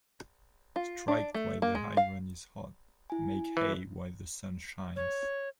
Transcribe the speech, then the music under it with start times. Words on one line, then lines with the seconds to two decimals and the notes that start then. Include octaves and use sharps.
Strike while the iron is hot Make hay while the sun shines.
0.76 F4
1.08 D4
1.34 A3
1.62 A#3
1.75 G#3
1.97 F5
3.10 E4 G#5
3.57 E3
4.96 C#5